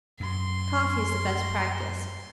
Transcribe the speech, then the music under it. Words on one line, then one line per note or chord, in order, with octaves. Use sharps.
Coffee is the best practice.
F#2 C6